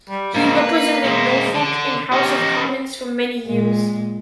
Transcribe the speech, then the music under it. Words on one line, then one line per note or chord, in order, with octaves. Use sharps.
He represented Norfolk in House of Commons for many years.
G3
G#2 C#3 A#3
B4
G#3 E4
D3
C#4 D#4 G4
A#2 G#3